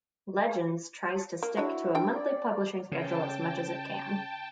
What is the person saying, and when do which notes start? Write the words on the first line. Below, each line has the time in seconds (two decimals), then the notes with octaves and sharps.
"Legends" tries to stick to a monthly publishing schedule as much as it can.
1.43 A#3
1.57 D3 D4 E4 F#4 C#5
1.95 D4 A4 G5
2.14 D5
2.92 C#3 G5 A5